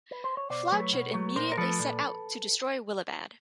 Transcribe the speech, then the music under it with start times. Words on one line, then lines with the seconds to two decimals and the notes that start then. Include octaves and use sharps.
Flaochad immediately set out to destroy Willibad.
0.11 B4
0.24 C5
0.37 C#5
0.50 B2 C5 D5
0.72 F#3 A3 B4 C#5
0.93 B2
1.14 F#3 A3
1.36 A#2 A#4 C5
1.52 A#4
1.58 F3 A3 A4 B4
1.79 A#2